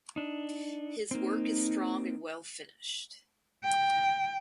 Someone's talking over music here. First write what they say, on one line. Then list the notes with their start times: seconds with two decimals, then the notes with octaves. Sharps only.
His work is strong and well finished.
0.16 D4 D#4
1.11 A#3 C4 D#4
3.64 G5